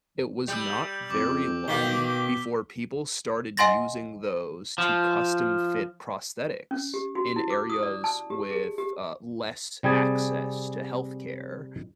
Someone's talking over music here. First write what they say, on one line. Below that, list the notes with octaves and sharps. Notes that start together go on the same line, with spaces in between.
it was not very long before people started using those to custom-fit prosthetics in areas with, uh, less access to health care,
G3 G5 E6 G6 F7
F2 D6
B2 D#3 A#3 G6 B6 G7
D#5 F#5 G#5 C6 A6 A#6
F3
C#4
G4
F#4
E4
D6
D#6
D5
A5
G4
G#4
G4
C3 G3 G#4 G#5 A5